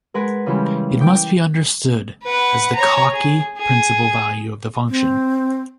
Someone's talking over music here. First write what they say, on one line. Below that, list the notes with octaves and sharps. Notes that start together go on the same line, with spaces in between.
It must be understood as the Cauchy principal value of the function.
G#3 A#4 B4 F#5 G#5 B5
C#3 E3 G3 G#3 G4
G5 D6
B4 F#5
C#5 A#5
G#4
G#4
C4